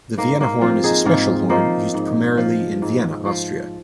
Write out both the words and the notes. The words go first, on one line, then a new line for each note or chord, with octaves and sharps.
The Vienna horn is a special horn used primarily in Vienna, Austria.
G#2 A#3
A#3
F3 C4 F4
D#4 G#4
G#2 C4 F4
F3 A#3 D#4
G#2
F3
G#2
F3